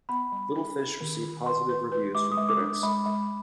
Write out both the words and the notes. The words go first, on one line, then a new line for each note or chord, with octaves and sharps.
"Little Fish" received positive reviews from critics.
B3 B5
G3
D4
G4
D#3
D#3
B4 C6
B4
B4
G#3 D6
D#6
G#3
D6
D4
G#3 B5
G#3